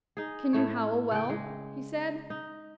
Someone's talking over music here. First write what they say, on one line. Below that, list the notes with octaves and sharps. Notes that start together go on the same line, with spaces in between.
'Can you howl well?' he said.
D#4 G#4
A2 A3 C#5
C#3 D5 G5
G#3
D#4